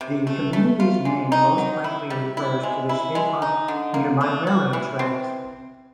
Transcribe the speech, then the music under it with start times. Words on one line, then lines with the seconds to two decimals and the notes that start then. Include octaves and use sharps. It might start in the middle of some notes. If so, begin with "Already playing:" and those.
The community's name most likely refers to the shape of nearby railroad tracks.
0.01 C3
0.27 A3
0.53 A3
0.80 F4
1.05 G#3
1.32 D#4
1.58 F#3
1.84 E4
2.10 G3
2.37 E4
2.63 G#3
2.89 E4
3.15 G#3
3.42 D#4
3.68 D3
3.94 A#3
4.21 A3
4.47 F#4
4.73 E3
4.99 C4